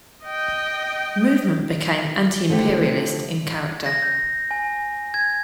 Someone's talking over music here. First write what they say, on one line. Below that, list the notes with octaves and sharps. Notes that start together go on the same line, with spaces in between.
The movement became anti-imperialist in character.
D#5 G5
D3 F3 A3 G4
A#6
G6
G#5
G#6